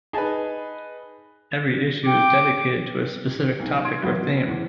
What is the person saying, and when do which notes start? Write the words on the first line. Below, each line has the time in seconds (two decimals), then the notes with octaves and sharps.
Every issue is dedicated to a specific topic or theme.
0.13 D#4 G#4 B4 A5
2.06 G5 D6
3.60 B1
3.85 C6 G#6 D7
4.02 E2 F#3 E4
4.21 B2
4.48 E2